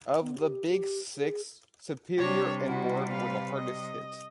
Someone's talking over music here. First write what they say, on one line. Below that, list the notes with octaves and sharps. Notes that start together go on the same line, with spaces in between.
Of the "Big Six", Superior and Ward were the hardest hit.
B3
G4
G4
G#4
C3 G3 D4 C#5
E4 F#4
B4 F5
D#5